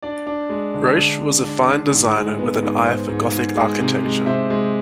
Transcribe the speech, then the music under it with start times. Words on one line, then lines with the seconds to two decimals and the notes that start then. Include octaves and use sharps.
Roche was a fine designer with an eye for Gothic architecture.
0.03 D4 D5
0.27 D4
0.50 G#3
0.74 D3
0.97 D3
1.21 D3
1.44 D4
1.67 D3
1.91 G#2
2.15 G#3
2.39 B3
2.62 G#2
2.85 G#2 C5
3.09 G#2
3.32 G#2
3.55 G#3
3.80 C3
4.04 G#3
4.26 C3 C5 E5
4.50 G#3